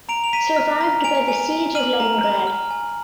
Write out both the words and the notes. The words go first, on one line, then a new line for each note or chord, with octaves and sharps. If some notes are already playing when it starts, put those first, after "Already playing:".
Survived by Siege of Leningrad.
A#5 D7 F7
F7
A#5 B6 D#7
F6
A#5
G#5 D7 F7
G#5
G#5
F6 D#7 F#7
A#5
A#5
F6
G#5